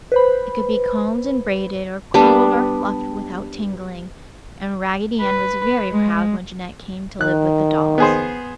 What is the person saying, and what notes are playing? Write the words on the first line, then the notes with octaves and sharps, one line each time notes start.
It could be combed and braided, or curled or fluffed without tangling, and Raggedy Ann was very proud when Jeanette came to live with the dolls.
B4 C5 B5
G3 B3 D4
B4
G#3
D#3 F#6
B3 G#4 C5